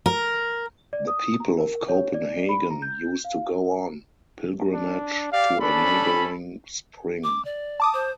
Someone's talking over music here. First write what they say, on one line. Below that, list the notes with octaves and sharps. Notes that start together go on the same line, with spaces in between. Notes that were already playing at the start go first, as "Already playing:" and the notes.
The people of Copenhagen used to go on pilgrimage to a neighboring spring.
A#4
D5
D#6
A#5
A#4
C#5
D5
B5
A#5
G6
F5
D4
G4 D5 F5
C#4 D4 A4 B5
D6
D5
A5 D6 D#6
C5